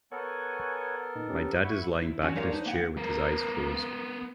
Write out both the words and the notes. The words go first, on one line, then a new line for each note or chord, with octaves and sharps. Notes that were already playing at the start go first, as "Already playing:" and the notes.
My dad is lying back in his chair with his eyes closed.
B3 A4 A#4 C#5 F#5 G#5
A#2 D#4
C#4 G4
E4 F#5 B5 C#6
E4
E2 F#3 C#4 F#4 G#5
G#3 G4 A#4 C#5 D5 F5
D4 D#4 B4 C5
A#3 B3 F#5 G5
B3 A#4